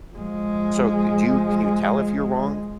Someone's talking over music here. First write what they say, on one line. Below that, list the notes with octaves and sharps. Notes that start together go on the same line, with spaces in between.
So c you can you tell if you're wrong?
F3 G#3